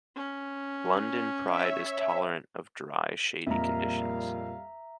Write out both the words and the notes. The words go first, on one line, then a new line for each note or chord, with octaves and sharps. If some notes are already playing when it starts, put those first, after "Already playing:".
London Pride is tolerant of dry, shady conditions.
C#4
C#5 E5
F2 A#2 G3 A#3 E5 F5 A#5